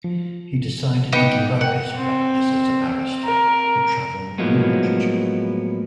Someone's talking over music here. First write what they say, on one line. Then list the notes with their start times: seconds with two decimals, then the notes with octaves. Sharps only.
He decided to give up his practice as a barrister for travel and literature.
0.04 F3
1.12 B3 D#4 G4 C#7
1.61 A#4 F#5 G5
1.96 C4
3.25 A#4
4.38 A2 F3 F#3 G#3 A#3 B3